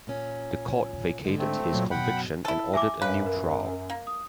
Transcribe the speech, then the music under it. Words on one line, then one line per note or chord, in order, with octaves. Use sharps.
The Court vacated his conviction and ordered a new trial.
A#2 C#4
G#2 D3
A3 C4
A#2 F#3
F#2 B2 F#5 G5 B5
E4 A4
E5 G#5 D6
F#2 B4 C#5 F5 G#5
A#4
A#3
D#6